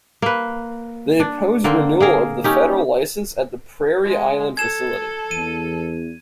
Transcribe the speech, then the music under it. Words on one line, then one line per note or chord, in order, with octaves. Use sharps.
They opposed renewal of the federal license at the Prairie Island facility.
A#3 B4
D4
D3 A#3 C4
A#3 G#4 A#4
C#4 D#4 G4
G#3
A4 G#6 E7
E2 D#7